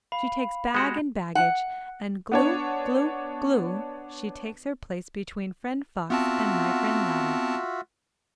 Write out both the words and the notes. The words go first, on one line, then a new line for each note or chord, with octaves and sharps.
She takes bag and baggage, and glou, glou, glou, she takes her place between friend Fox and my friend Ladder.
F5 B5
G#3 F#4 G4 G6
F#5
B3 D4 C#5
B3 C4 F4 F#4 E5 A5